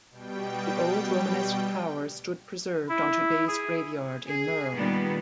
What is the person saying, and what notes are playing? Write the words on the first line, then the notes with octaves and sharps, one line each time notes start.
The old Romanesque tower stood preserved on today's graveyard in Merl.
B2 G3 G5
E4
G#4
G#4
A#2 D#3 G3 B3